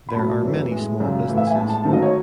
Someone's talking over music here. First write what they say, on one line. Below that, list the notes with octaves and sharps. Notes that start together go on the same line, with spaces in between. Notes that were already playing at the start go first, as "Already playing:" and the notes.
There are many small businesses.
B5
A2 F#3 A3 A5
F#2 E3 A3
A2 G#3
F#2 C#3 G#3
A2 E3 A3
E5
G#5
A2 G#3 A5
A5
G#2 D#3 F#3 A3 A5
D#5
C#5